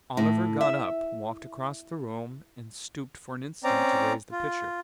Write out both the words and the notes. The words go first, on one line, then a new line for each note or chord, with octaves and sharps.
Oliver got up; walked across the room; and stooped for an instant to raise the pitcher.
A2
E5
C4 C#4 D5 A#5
F4